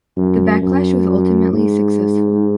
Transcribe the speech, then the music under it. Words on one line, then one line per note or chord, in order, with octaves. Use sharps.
The backlash was ultimately successful.
F#2
F#2
G#2